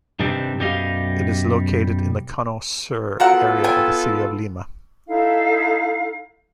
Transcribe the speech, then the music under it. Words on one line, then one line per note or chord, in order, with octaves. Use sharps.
It is located in the Cono Sur area of the city of Lima.
G2 C3 D#3 G3 C4 D4
B1 F#2 G3 G4 D#5 F5
B3 F4 F#4 A4 A#4 F#5
G5 G#5
D#4 E4 A4 F5